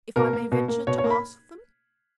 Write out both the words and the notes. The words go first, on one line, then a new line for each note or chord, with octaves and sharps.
'If I may venture to ask them.'
B2 A#4
A#3
B2
A#3
B2 C#5
C#5
A#3
B5